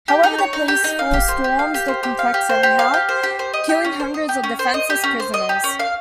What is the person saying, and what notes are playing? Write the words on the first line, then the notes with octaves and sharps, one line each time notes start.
However, the police force storms the complex anyhow, killing hundreds of defenseless prisoners.
G4
D#4
C#5
D#4
G4
D#4
F5
G4
C5
G4
F5
G4
C5
G4
F5
G4
C5
G4
F5
G4
C5
G4
C5
D#5
G4
C#4
C5
D#5
G4
C#4
C5
D#5
G4
C#4
C5
D#5
G4
C#4
F5